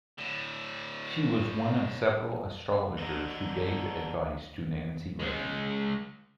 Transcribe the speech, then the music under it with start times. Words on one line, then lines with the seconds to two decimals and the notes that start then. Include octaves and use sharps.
She was one of several astrologers who gave advice to Nancy Reagan.
0.18 A2 D3
2.99 D3 D#4
5.20 C#2 G#3